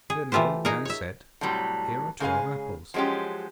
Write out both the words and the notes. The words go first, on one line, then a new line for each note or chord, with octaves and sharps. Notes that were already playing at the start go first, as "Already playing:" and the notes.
Then the old man said, 'Here are twelve apples.
G#4
E3 A3 F4 G4 C5
D#4 G#4 A#4
C#5 E5
A2 C3 F#3 G3
C#3 G#3 G#4 A4 F5 G#5
F3 F#3 G#3 C#4 G4